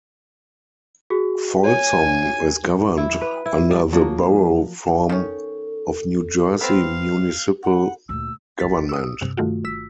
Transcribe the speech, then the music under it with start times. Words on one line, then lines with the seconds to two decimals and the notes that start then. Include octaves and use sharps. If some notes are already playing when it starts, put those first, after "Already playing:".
Folsom is governed under the Borough form of New Jersey municipal government.
1.10 F#4 G#4
1.65 C#5 G#5
2.98 E4
3.21 B4
3.46 E4
3.71 G3
3.93 F3 F#3 A#3
5.09 D#3 C#4 A4
6.61 B3 C4 F5
7.63 F#5
8.09 D2 A#2 E6
8.59 G1 C2 A6 B6
8.89 D#6 E6
9.21 G2 C3
9.37 G2 D#3 A3 F4 F#4
9.64 G1 E6 B6